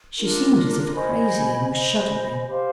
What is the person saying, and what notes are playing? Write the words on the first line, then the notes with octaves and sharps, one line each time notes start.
She seemed as if crazy, and was shuddering.
D4 F4 A#4
C5 D#5 G#5 B5
C5 D#5 G#5 B5
G4 C5 F5